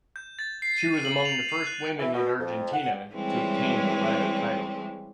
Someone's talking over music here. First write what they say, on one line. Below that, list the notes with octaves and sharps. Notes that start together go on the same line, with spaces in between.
She was among the first women in Argentina to obtain the latter title.
G6
A6
C7
D#7
F#7
F7
C7
F#6
E3
B2
F2
F#5
E3 G3 G#3 C4 C#4